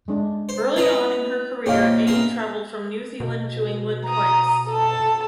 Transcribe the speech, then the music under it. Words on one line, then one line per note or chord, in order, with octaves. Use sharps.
Early on in her career Amey travelled from New Zealand to England twice.
G#3 D4
C5
C#4 E4 B4 D#5 A#5 B5
A#2 C4 D#4 G4 C#5 F5 G5
B3 G#4 E5 A#5 C6
B2
A#5 D#6
A4 A5